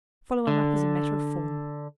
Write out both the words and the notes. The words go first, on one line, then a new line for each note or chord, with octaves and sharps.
Follow him up as a matter of form.
D3